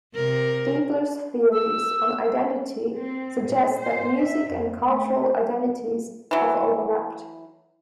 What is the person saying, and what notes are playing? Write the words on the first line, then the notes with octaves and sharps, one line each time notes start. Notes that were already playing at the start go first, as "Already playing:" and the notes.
Dietler's theories on identity suggest that music and cultural identities have overlapped.
C3 A#4
E6
C4
A#2
C5
E5
F2
A3
E3 F#3